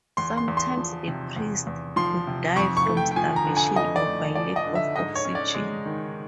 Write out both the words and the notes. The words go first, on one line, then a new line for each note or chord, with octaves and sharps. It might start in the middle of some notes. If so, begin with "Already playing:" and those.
Sometimes a priest could die from starvation or by lack of oxygen.
E2 C6
C6
E2
C6
F3
C3
E2
E2
F3 C6
C3
F2 C#6
C#6
A3
G5
G5
F3 G#5
A#5
D3
G#5
F2 D#5
D5
A3
F3 D5
D#5
D3
E5
G#2 D#5
C#5
C#4
D5
G#3
D#3